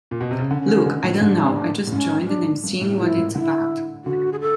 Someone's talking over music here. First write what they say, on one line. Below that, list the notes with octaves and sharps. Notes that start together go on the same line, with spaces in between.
Look, I don't know, I just joined and I'm seeing what it's about.
A#2
B2
C3
C#3
D3 C#4
D#3
D3
A2
G#2 D4
A2
G#2 C#4
D4
G2
A2
A#2 E4
G#2
D3 E4
D3 F#4
G#4
A4